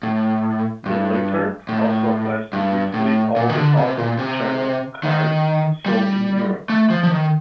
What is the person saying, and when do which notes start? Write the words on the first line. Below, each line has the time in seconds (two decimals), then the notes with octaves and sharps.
The latter also applies to virtually all the Adult channel cards sold in Europe.
0.03 A2
0.86 G2
1.69 A2
2.53 G2
2.94 A2
3.36 A#2
3.50 D#3
3.58 D3
3.77 C3
3.98 A#2
4.19 C3
5.03 D#3
5.86 G3
6.69 A3
6.90 F3
7.03 F3
7.11 D#3